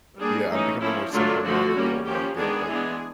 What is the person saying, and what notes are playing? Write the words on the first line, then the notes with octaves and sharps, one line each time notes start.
yeah, I'm becoming more simple minded the older I get, like
G3 A#3 D4 G#4
E3 A3 C#4 D#4
F3 A#3 C#4 E4
D3 F#3 A3 D4 F4
D3 F3 A3 F#4
G3 A#3 C#4
F3 A#3 C#4 G4
D#3 G#3 B3 D4 G#4
E3 G#3 B3 D4